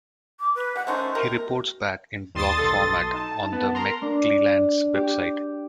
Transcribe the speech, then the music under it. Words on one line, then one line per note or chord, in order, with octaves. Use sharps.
He reports back in blog format on the McClelland's website.
D6
B4
G3 F#5
A3 C#4 D#4 C5
C3 A#4
D#2 G3 C6 D#6 A6 E7
B1 A4
D#4 A5
B3
A#4 A#5 C6
D4
G4